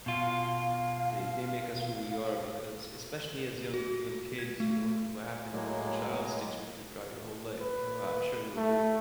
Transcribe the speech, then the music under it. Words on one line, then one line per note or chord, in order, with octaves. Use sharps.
eh, they make us who we are because especially as young young kids, you know, 'cause what happens when your child sticks with you throughout your whole life, you know, I'm sure you agree.
B2 F4 F5
F#4
G#6
A3
A2 F#3 G#3 A#3
B4
A3